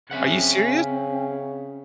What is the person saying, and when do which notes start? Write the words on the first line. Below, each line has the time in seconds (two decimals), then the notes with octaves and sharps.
Are you serious?"
0.11 C#3 C4 C#4 E5 F#5